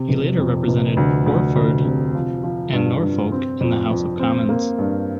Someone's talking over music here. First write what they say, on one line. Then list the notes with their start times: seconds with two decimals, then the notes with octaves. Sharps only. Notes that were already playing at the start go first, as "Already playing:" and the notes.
He later represented Orford and Norfolk in the House of Commons.
Already playing: C3
0.09 F1
0.38 F2
0.68 F1
0.97 D2
1.26 D2
1.55 D2
1.85 C3
2.15 F3
2.44 F3
2.73 G2
3.03 G2
3.32 C4
3.61 F2
3.90 F2
4.19 C4
4.49 A#3
4.78 G2